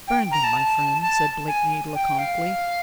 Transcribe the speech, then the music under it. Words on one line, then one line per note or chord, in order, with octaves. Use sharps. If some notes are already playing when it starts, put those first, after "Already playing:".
"Burn them, my friend," said Blakeney laconically.
G5
A#5
A5
A5
G#5
G5
F5